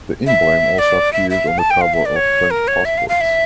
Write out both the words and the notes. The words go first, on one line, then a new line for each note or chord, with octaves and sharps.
The emblem also appears on the cover of French passports.
E5
D5
E5
E5
F5
A5
G5
F5
E5
D5
C#5
A#4
C#5
E5
F5
F5
E5